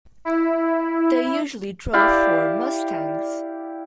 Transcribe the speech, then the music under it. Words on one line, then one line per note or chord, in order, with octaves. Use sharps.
They usually drove Ford Mustangs.
E4
E4 G4 D5 F5